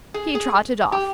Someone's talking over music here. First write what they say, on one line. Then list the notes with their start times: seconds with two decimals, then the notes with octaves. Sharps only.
He trotted off.
0.14 G#4
0.35 G#4
0.92 G4